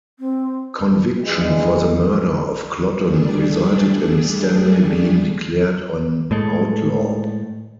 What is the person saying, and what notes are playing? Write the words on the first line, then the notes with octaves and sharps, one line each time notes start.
Conviction for the murder of Clotton resulted in Stanley being declared an outlaw.
C4
G2 E3 G#3
G3 A3 D4 G#4
A2 G#3 A3